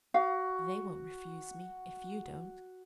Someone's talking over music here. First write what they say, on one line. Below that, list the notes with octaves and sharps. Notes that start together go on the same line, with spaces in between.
'They won't refuse me, if you don't.'
F#4 F5